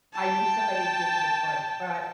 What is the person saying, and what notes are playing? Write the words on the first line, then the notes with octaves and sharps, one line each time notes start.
I need somebody to give me the push, but
G5 A5